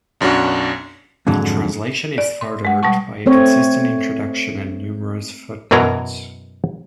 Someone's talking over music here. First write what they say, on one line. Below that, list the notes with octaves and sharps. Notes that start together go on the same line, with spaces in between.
The translation is furthered by a consistent introduction and numerous footnotes.
B1 F#2 C#4 D4 F#4
F2 G#2 D3 F#3
D5
C6
G#3 F#5
B2 G3 F#5 A5 C#6
A3 C4 C#5
F#2 B2 E3 F#3 A#4 A#5